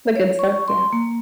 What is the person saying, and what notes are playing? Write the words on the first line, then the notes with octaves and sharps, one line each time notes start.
The good stuff, yeah.
C#5
C#6
C6
A#3